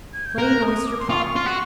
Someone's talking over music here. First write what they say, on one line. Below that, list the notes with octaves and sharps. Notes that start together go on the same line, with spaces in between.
Plain Oyster Pie.
G#6
G6
A#4 F#6 G6
D#6
D6
C6
F4 C#6
F4
F#4